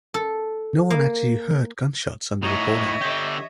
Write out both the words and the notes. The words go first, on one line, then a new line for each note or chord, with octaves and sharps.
No one actually heard gunshots on the recording.
A4
A#3
A2 D#4 C#5 D#5 E5
D3 G4